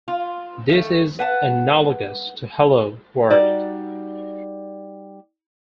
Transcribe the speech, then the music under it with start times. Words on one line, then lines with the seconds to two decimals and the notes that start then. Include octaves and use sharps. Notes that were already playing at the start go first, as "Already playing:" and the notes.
This is analogous to Hello, World!
0.08 F4
0.69 D#3 A3
1.19 B4 F#5 A5
3.30 G3 D#4 F#4 D5